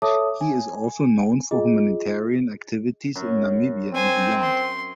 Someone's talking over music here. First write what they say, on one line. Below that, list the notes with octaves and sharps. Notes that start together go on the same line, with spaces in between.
He is also known for humanitarian activities in Namibia and beyond.
A4 C#5 E5 A5 D6 D#6
G#5
F4 G#4 D#5
F#2
C4 C5 G#5
C6